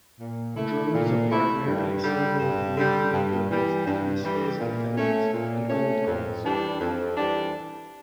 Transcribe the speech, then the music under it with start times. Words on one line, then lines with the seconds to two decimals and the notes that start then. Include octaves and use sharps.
Drones are primarily silver with mid-blue domes, hemispheres and fenders, and gold collars.
0.19 A#2
0.56 A3 E4
0.93 A#2
1.30 A3 E4
1.66 G2
2.03 D3 G3
2.39 G2
2.76 D3 G3
3.13 G2
3.50 E3 G3
3.87 G2
4.24 E3 G3
4.60 A#2
4.97 A3 C#4
5.33 A#2
5.70 A3 C#4
6.06 F2
6.43 E3 G3 D4
6.80 F2
7.17 E3 G3 D4